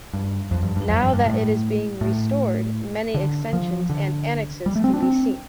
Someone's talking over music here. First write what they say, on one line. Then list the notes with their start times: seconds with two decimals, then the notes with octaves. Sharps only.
Now that it is being restored, many extensions and annexes can be seen.
0.13 G2
0.51 F2
0.63 G2
0.76 G2
0.89 F2
1.01 G2
1.13 G2
1.26 A2
2.01 A2
3.14 D3
3.53 F3
3.89 D3
4.66 G3
4.76 A3
4.84 C4
4.94 D4
5.03 C4